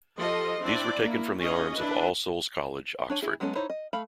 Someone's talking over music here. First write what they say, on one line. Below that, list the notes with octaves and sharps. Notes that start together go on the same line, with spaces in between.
These were taken from the arms of All Souls College, Oxford.
F3 G4 A4 D#5 C6
C4 D4 E4 D5
A#3 E4
C#4 F4 G#4 D#5
D4 E4 B4
D4 C#5 G#5
E4 G#4
F#3 G#3 B3 C#4 A4
D#4 E4 C5 C#5
D#5
A3 F5 B5